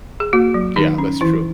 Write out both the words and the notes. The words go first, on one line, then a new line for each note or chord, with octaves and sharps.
Yeah, that's true.
G#4
A#3 F#4
F#3
D#3 D#4
C#4
E3 E4